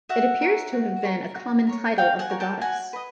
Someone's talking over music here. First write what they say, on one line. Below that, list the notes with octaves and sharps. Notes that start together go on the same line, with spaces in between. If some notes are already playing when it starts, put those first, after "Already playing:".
It appears to have been a common title of the goddess.
F#4 E5 F#5
A#4 C#5
F#4
A#4 C#5
F#4
A#4 C#5
F#4 F5 G5
F#5 G#5
A#4 C#5
G5 A5
F#4 F#5 G#5
B4 D#5